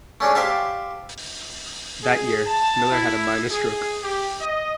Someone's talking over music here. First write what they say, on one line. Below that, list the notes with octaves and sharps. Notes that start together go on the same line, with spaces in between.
That year, Miller had a minor stroke.
A3 C#4 D4 G#4
G4 C5 E5 F5 A5
G#4
A5
E4
G#4
G4
D#5